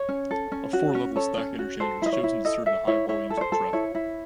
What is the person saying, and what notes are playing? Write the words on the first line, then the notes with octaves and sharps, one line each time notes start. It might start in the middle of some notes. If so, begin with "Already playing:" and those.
A four-level stack interchange was chosen to serve the high volumes of traffic.
Already playing: C#5
C#4
A4
C#4
F#4
C#4
A4 C#5
C#4
F#4
A4 C5
E4 D#5
C#5
E4
A4 D#5
A4 E5
E4 C#5
E4 C#5
A4
C#5
C5
A4
E4 C#5
E4